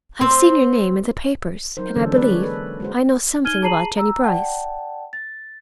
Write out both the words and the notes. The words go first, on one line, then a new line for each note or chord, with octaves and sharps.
"I've seen your name in the papers, and I believe I know something about Jennie Brice."
C4
F#3 D#4 A#4 C5
D3 E3 F#3 C#4 D4 A4
F#3 G#3 B4 D5
G#3 C#5 D5
A#3 A4 B4
G#3 F#4 C5
D#4 F6 G#6 D#7 G7
G#4 A5 A#5 C7 D#7 F#7
A#5 E6
D5 F#5 G5 A5
A6